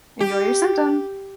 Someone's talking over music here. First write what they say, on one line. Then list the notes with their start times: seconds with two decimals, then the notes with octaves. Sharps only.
Enjoy Your Symptom!
0.20 G4